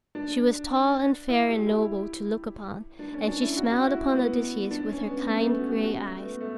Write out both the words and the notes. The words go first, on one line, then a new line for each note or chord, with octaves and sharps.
She was tall and fair and noble to look upon, and she smiled upon Odysseus with her kind gray eyes.
D4
E4
G4
E4
D4
C#4
D4
E4
F#4
F#4
E4
B3
D4
C#4
B3
A3
B3
F#4
G4
F#4
A3
B3
A3